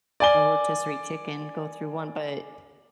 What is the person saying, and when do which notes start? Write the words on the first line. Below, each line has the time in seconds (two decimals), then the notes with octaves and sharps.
A rotisserie chicken go through one, but
0.20 D5 G#5 G7